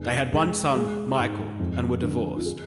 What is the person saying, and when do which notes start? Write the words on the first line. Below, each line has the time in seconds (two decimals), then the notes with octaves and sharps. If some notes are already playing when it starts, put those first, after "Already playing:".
They had one son, Michael, and were divorced.
Already playing: F1 A3 G#4
0.32 G#3
0.75 G#3
1.18 G#2
1.59 F2
2.02 D3
2.36 F4
2.46 G#4